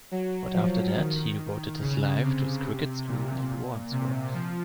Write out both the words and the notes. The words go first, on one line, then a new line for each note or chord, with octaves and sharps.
But after that he devoted his life to his cricket school in Wandsworth.
F#3
F3
D#3
C#3
C3
A#2
C3
F3